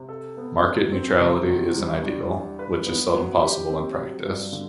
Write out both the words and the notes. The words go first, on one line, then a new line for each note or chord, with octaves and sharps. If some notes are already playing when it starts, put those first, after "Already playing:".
Market neutrality is an ideal, which is seldom possible in practice.
Already playing: C3
A4
B3
F#3
C4
C3
E2
G3
D4
G3
B4
B3
F#3
G4
C4
F#3
G2
D3